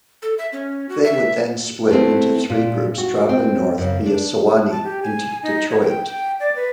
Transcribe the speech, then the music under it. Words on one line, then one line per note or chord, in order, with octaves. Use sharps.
They would then split into three groups traveling north via Sewanee into Detroit.
A4
E5
C#4
F#4
E5
A3 B3 C4 E4
A#2
F#4
C4
F#2 C#3
D4
A5
G4
G#5
D#4
C#5
G5
G5
D5
B4